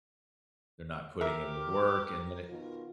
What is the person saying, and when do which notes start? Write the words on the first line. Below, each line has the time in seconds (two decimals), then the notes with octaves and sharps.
They're not putting in the work, and then it
1.21 G4 A#4 E5
2.49 B2 D#3 F4